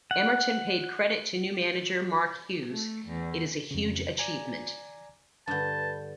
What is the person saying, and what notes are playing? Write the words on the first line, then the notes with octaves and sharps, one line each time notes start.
Emerton paid credit to new manager, Mark Hughes, It is a huge achievement.
F#5
A3
E2
F2 C#3
D5 G#5 A#5
G2 D3 B4 A5 G6